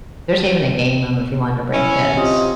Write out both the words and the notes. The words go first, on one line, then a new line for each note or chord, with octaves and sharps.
there's even a game room if you wanted to bring kids.
C#4 E4
C3 F4 D#5